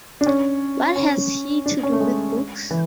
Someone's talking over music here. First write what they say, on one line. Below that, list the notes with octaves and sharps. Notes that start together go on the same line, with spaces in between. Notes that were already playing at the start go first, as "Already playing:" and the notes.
What has he to do with books?
D4
C#4
C#4
D4
C#4
A3
G#3
E3